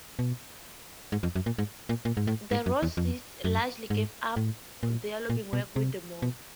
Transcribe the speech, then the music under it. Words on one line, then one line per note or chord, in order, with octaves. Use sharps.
The Roses largely gave up their lobbying work with the move.
B2
G#2
F2
F#2
A#2
G#2
A#2
A#2
G#2
A2
G#2
F#2
E2
F2
F#2
G#2
A2
A#2
A#2
B2
C3
B2